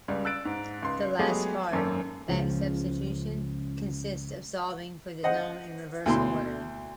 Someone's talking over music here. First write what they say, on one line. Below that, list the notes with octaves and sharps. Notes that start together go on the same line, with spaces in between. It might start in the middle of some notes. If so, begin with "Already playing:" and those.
The last part, back-substitution, consists of solving for the known in reverse order.
C#2 G3 G#3
E6 F#6 A6 D7
G#2
C#2 C6
F#3 G#3 A3 B3 G4 G#4
G#1 F#2 A#3 A4
C#2 C#3 F3
C5 D#5 F#5
D2 B2 E4 C6